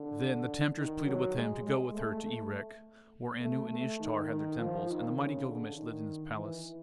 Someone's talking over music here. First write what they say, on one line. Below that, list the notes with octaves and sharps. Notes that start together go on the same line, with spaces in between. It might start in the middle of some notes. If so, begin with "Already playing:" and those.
Then the temptress pleaded with him to go with her to Erech, where Anu and Ishtar had their temples, and the mighty Gilgamesh lived in his palace.
Already playing: D3
D#3
F#3
G#3
G#3
A3
A3
A3
A3
D#3
D#3
F3
D#3
C#3
D3
D#3
E3